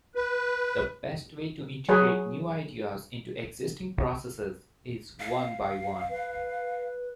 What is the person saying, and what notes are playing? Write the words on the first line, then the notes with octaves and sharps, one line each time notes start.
The best way to integrate new ideas into existing processes is one-by-one.
B4
F#3 G#4 B4 C#5
F5
B4